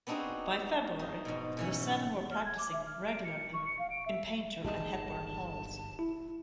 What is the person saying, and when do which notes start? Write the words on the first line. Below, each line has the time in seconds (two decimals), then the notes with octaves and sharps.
By February, the seven were practicing regularly in Painter and Hepburn Halls.
0.07 B3 C4 D4 D#4 F#4 G#4
0.99 D#4
1.25 G#2 B2
1.57 B2 E3 C#4
2.31 F6
2.45 G#6
2.58 D6
2.73 E5
2.86 F6
3.07 D7
3.24 C#7
3.53 C#6
3.66 C#7
3.79 F5
3.90 D7
4.06 E5
4.64 G1 A#2 G3 D#4 G#4 A5
5.99 E4